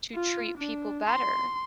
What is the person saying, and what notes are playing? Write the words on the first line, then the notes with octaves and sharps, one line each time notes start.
to treat people better,
F4
D4
C6